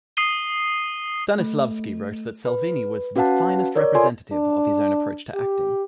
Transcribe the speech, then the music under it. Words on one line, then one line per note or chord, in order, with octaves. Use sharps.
Stanislavski wrote that Salvini was the "finest representative" of his own approach to acting.
D#6 C7 D#7 G7
A3
B4
C#4 F#4 B4 F5 F#5 A5
A#4 C#5 D5
F4 A4 D5 G#5 C6
D4
G4